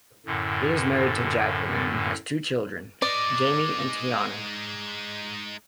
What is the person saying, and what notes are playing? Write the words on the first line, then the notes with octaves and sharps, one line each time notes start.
He is married to Jacqueline and has two children, Jaimee and Tiahna.
F#2 A2 D3
G#3 D#4 D5